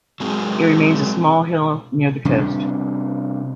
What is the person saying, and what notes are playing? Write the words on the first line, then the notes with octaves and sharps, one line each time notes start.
It remains a small hill near the coast.
F#3 G#3 C4 G#4
C3 G3 C#4 D4